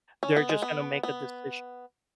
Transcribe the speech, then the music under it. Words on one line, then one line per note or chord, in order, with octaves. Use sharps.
They're just gona make a decision
C#4
B3
G#3
B3
B3